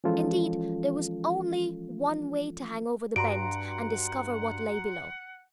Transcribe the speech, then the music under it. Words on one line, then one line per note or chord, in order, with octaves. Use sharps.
Indeed, there was only one way, to hang over the bend and discover what lay below.
E3 F3 G#3 C#4 F4 A4
G2 F#4 F#5 A#5 C6 D7